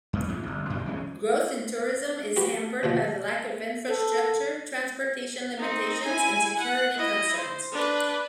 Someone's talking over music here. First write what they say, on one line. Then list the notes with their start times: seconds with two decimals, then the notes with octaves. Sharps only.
Growth in tourism is hampered by lack of infrastructure, transportation limitations and security concerns.
0.13 F2 G#2 B3
0.28 G#2 C#3 F3
0.43 G1 C2
0.70 F#2 B2 D#3 G3
0.85 F1 E3 G#3 C#4
2.36 F#4 G4 B4
2.83 D#2 B2 F3
3.88 A4
5.58 C4 D#4
6.05 E4 G#5
6.60 F#5
6.96 E4 D#5
7.37 C5
7.72 D4 B4